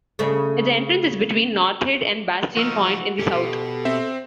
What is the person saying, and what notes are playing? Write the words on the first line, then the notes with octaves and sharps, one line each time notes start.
Its entrance is between North Head and Bastion Point in the south.
C#3 A3
F3 D#4 F#4 E6 F6
F2 C#4 G4 A4
B2
C4 C5 E5